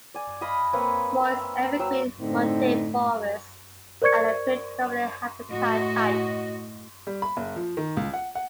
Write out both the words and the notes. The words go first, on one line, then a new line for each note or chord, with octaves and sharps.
Moist evergreen montane forests are the predominant habitat type.
D5 G#5
D#5 F5 B5 D#6
A#3 C4 B4 C#5
E5
F#3 G5 E6
A2 D3 C4 D#4
A#4 C5 D5 C#6 G#6 C#7
A2 F#4 D#5
G3
B5
F#1
F3
D#3
C#2
F#5
F#5